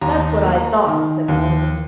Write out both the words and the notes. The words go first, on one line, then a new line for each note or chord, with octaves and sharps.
"That's what I thought," said Morgan.
D#2 A#5
A#3
A#5
D#3
D#2